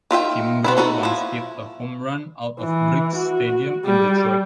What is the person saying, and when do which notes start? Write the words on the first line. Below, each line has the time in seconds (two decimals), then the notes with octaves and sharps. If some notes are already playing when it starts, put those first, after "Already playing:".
Kimbro once hit a home run out of Briggs Stadium in Detroit.
0.11 D#3 F4 E5 G5
0.64 B3 C4 E4
0.77 B3 D#4 F#4 A4
1.03 F3 E4
2.61 E3
3.17 F#4
3.86 G3